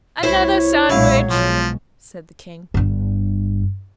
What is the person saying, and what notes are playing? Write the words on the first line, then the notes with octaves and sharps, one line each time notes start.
'Another sandwich!' said the King.
C2 E4 C5 C#5
B1 A#2 F#3 G#3 E4 F5
B1 B2 F3 G#3
G1 G2